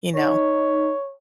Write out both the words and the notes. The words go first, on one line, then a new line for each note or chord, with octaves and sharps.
you know,
D#4 C#5